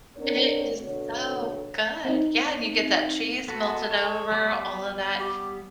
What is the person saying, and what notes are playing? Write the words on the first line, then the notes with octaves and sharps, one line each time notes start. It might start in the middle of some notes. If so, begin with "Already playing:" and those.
It is so good. Yeah and you get that cheese melted over, all of that.
B3 C4 D4 A#4 C#5
B2 D3 A4 C#5
C4 D#4
B3 F#4 A4
C#5
G3 B3 D6
G4